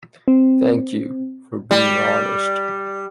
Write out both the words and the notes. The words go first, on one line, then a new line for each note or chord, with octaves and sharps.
Thank you for being honest.
C4
G3